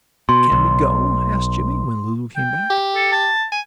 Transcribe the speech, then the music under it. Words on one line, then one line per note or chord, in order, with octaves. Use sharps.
"Can we go?" asked Jimmie, when Lulu came back.
B2 C6
B1
G5
G4
A4
A5
G#5